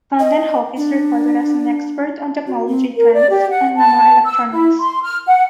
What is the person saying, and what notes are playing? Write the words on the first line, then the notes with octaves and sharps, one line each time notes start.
Van den hove is regarded as an expert on technology trends and nano electronics.
D#5
D4
F#4
C4
A#4
D5
G4
F#5
A5
E6
E4
C6
F6
F#5